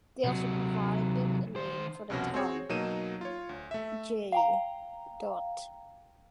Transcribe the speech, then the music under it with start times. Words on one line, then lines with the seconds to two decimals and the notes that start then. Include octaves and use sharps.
They also provided a name for the town; J.
0.24 C3 F#3
1.56 D#3 C5
2.10 C2 F2 B2 C#4 F#4 A#6
2.34 C4 F#4 G#4 C#5
2.69 B2 F#3 A#3 D#4 D#7 E7
3.21 F4 C#5
3.49 D2
3.71 A3 E5
4.32 F5 G5 A#5